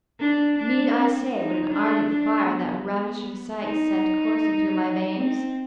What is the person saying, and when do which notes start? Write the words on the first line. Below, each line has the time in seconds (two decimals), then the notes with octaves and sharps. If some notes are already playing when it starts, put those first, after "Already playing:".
Need I say what an ardent fire that ravishing sight sent coursing through my veins?
0.20 D4
0.58 D4
0.97 C4
1.34 D#4
1.72 D4
2.10 D4
2.49 B3
3.64 D#4
5.16 C4